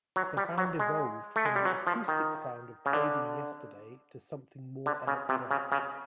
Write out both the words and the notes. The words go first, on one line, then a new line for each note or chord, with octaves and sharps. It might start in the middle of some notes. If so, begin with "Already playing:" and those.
The band evolved from the acoustic sound of Trading Yesterday to something more electronic.
F#3
G3
F#3
G#3
A3
G#3
G3
F#3
F3
D#3
C#3
D3
D3
C#3
C3
C#3
C#3